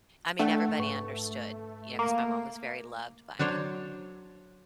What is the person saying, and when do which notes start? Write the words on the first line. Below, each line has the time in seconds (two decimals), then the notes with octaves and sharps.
I mean, everybody understood, you know, because my mom was very loved by
0.39 A3 D4 F#5 G5
0.79 G#2 B4 C#6
1.99 A#3
3.39 F#3 D4 C5 C#5